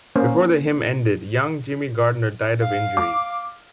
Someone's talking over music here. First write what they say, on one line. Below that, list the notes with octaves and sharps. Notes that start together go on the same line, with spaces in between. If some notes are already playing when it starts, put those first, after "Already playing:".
Before the hymn ended, young Jimmy Gardner died of injuries.
A#3 C#4 C5
F5
D6